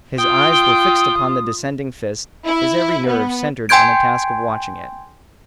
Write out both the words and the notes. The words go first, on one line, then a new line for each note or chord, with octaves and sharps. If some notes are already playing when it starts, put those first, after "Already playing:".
His eyes were fixed upon the descending fist, his every nerve centered on the task of watching it.
F4 G5 D#6
E4
B3
G5 G#5 C6 G6 G#6 D7